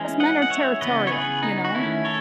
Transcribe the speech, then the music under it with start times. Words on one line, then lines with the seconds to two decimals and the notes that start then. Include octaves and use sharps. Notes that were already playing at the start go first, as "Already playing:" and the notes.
'Cause men are territorial, you know?
Already playing: E3 G#3 C#4
0.20 D#5 F#5
0.42 F#5
0.50 C#5 E5
0.81 C#3 E3 B3 B4 D#5
1.07 C#5
1.12 G#4 B4
1.43 D#4
1.65 F#4
1.74 D#3 A3 C#4 E4
2.05 A4 C#5